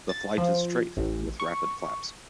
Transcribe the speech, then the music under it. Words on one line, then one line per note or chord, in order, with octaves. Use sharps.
The flight is straight, with rapid flaps.
A6
F3
A1
C#6